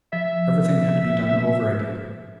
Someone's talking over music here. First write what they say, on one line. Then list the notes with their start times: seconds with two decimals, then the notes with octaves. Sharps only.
Everything had to be done over again.
0.13 F3 E5